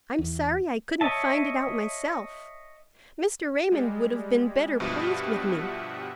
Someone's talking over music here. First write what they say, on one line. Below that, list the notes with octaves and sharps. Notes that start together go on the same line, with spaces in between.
"I'm sorry I couldn't find it out myself; Mr. Raymond would have been better pleased with me."
E2
C#5 D#5 E5 A5
G3 G#3
G2 B2 F3 G4 E5 F#5